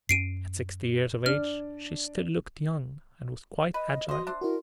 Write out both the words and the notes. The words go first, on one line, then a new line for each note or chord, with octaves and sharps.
At sixty years of age she still looked young, and was quite agile.
F#2 B3 C#4 C7 D7 D#7
D4 D5 F6
B4 D#5
F#4 C5 D#5
D4 C5 E5
E4 F#4 A#4